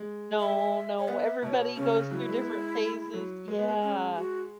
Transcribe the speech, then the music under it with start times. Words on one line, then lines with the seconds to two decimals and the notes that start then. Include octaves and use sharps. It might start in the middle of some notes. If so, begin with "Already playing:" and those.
No, no, everybody goes through different phases yeah,
Already playing: G#3
0.39 E5
0.98 C#5
1.08 B3 F#5
1.13 E5
1.42 B2 E5
1.47 C#5
1.76 C#3 C#4
1.94 C#3
2.11 F#3 E4
2.28 G#3
2.38 B3
2.48 G#3
3.14 F#3
3.48 G#3
3.58 B3
3.68 G#3
3.82 C#4
4.16 F#4